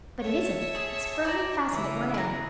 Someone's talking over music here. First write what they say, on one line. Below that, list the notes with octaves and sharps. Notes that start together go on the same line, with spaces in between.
But it isn't--it's firmly fastened at one end.
C#5 E5 A5
G#4
D5 A#5
C#3 E3
G#4 A#5